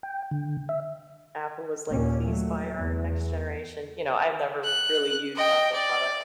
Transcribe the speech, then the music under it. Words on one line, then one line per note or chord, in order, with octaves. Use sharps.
Apple was, like, pleased by our next generation. You know, I've never really used Apple products.
G5
D3
E5
D#2 A#2 A#3 C#4
F#3 A3
E2
F#6
D#5 G5
D5